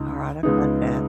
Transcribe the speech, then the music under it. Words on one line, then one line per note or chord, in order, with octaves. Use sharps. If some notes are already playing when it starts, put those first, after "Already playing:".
Alright, I've got that.
Already playing: C#2 D#4
C#2 C#3 G#3 B3 D#4